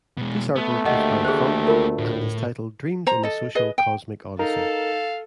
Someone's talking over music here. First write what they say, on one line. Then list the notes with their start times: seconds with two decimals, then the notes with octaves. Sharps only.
This artwork is by :phunk and is titled "Dreams in a Social Cosmic Odyssey".
0.18 B2 G#3
0.56 A3 B3
0.85 D2 A#3 G4 D#5 F#5
1.25 G#4 C5
1.67 F4 A#4
1.98 A2
3.07 C5 A#5
3.23 A4 D#5
3.55 G#4 B4 D#5
3.78 G5
4.39 D#4 A4 A#4 F5